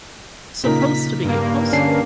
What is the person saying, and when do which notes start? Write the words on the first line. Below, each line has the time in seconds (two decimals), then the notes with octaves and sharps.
supposed to be most
0.64 A#2 C#3 D#4 A#4 B6
1.24 G2 A#3
1.73 D3 C#4 D4 C7